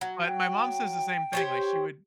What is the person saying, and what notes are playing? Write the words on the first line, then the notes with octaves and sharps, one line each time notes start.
But my mom says the same thing, like, she would
F#3
G5
G4 C5 C#5